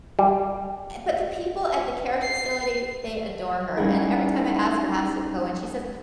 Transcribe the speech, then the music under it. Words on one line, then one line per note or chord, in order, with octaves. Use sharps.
uh but the people at the care facility, they adore her, and every time I ask her how's it going, she says,
G3
C7
G3 C#4 D#4 E4 G#4 A#4